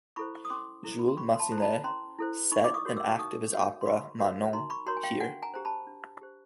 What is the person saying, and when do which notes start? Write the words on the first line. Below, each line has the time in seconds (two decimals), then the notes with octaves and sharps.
Jules Massenet set an act of his opera "Manon" here.
0.16 E4 A4 C5 B5 C#6
0.45 D#6
0.50 C#4 C6 D6
0.84 E4 A4 C5
0.99 B5
1.08 C6
1.17 C#4 B5 C#6
1.35 C6
1.39 A5 B5
1.51 E4 A4 C5
1.58 A#5
1.62 A5 B5
1.84 C#4 A#5 C6
2.18 E4 A4 C5
2.52 D#4 B5 C#6
2.64 D6
2.74 C#6 D#6
2.85 F#4 A#4 C#5
2.97 D6 E6
3.19 D#4 C#6 D#6
3.52 F#4 A#4 C#5
3.81 C6
3.86 D#4 B5 C#6
4.19 F#4 A#4 C#5
4.53 D#4 A#5 C6
4.70 B5 C#6
4.86 F#4 A#4 C#5 A#5 C6
4.97 G#5
5.03 F5 G5
5.20 D4 F#5 G#5
5.42 G#5 A#5
5.54 G4 C5 A#5
5.65 A5 B5
5.87 D4
6.21 G4 C5